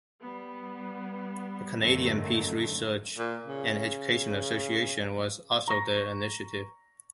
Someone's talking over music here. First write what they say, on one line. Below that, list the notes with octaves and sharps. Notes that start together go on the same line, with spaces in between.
The Canadian Peace Research and Education Association was also their initiative.
G3 B3
F#2 A#2 D3 D#3 A3
A#2
C#3
A#5 C#6 A#6